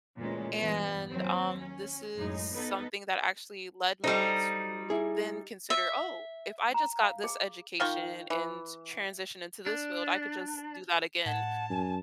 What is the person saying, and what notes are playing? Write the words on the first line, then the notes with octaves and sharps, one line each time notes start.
and, um, this is something that actually led me to then consider, "Oh, if I just got this education, and transition into this field, I could just do that again."
D2 A#2 E3 G#3 C#4
G2 E3 B3
D#2 F#3 C4
C#4
F#2 A2 G#3 D#4
B3 D#4 A4 B4
G3 D#4 A4 C5 E5
E4 G#4
E5
A#5
F5
G#4
D#3 F4 G5 C#6
E3
D4
A2 F#5 A5 G#6 E7
F#2 G#5